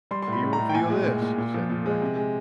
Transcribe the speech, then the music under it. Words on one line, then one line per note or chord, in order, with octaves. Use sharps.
"He will feel this," said the rector.
G3 C6
C6
A2 B5
A2
A#5
A2
G5
A#2 G#5
G#3
A#2
A#2
A#2
F3
A#2
G#3
C3
G#3